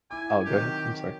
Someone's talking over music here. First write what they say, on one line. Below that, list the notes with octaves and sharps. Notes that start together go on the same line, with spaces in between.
Oh, go ahead, I'm sorry.
E4 G#5 D6
C3 D#3 F#3 G4